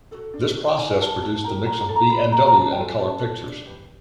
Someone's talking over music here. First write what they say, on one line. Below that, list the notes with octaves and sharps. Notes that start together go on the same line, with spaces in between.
This process produced the mix of B and W and color pictures.
F#4 A4
D4
F#4 A4
G5
E4 G#5
G4 A#4 A5
E4 A5
G4 A#4 A#5
F4 A#5
A#5
A4
A#5
F4 B5
A4 A#5
A#5
C#4 A5
G5
F4 A4 G#5
C#4 A5
F4 A4
D4
G4 B4